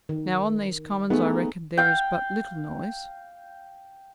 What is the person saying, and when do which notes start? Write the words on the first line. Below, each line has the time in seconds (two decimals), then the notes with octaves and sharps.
Now on these commons I reckon there is but little noise?'
0.09 D#3
1.10 A3 B3 D#4 G#4
1.77 F5 G5